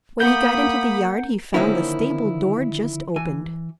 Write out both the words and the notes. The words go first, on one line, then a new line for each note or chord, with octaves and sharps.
When he got into the yard he found the stable-door just opened.
A#3 F#5 B5 D#6 G6
D3 D#3 F3 A#3 C#4 E4
E3 G#5